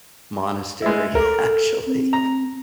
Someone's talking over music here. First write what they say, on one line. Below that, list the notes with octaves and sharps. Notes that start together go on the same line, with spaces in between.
monastery, actually.
G#3 E4
A4 A#4
C4
A#5